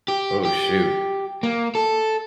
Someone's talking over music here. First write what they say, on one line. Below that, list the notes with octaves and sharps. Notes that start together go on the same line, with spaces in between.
oh, shoot.
G4
G4
A#3
A4